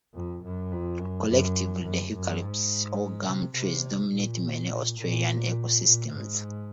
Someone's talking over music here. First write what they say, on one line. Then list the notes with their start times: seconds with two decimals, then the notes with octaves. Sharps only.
Collectively the eucalypts, or gum trees, dominate many Australian ecosystems.
0.14 F2
0.44 F#2
0.72 F2
0.99 F#2
1.28 F#2
1.85 F#2
2.14 F#2
2.41 G#2
3.27 C3
3.55 C3
4.12 A#2
4.98 A#2
5.83 A#2
6.11 G#2